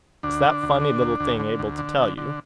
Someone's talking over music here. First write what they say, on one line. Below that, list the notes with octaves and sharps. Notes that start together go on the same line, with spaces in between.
"Is that funny little thing able to tell you?"
D2 D4
D3
D2
D3
D2
D2
D3
D2
D3
D3
D3